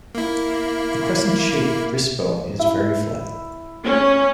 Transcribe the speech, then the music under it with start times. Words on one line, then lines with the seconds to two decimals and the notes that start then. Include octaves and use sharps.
The crescent-shaped wrist bone is very flat.
0.15 A#3 E4
2.59 E4
3.83 C#4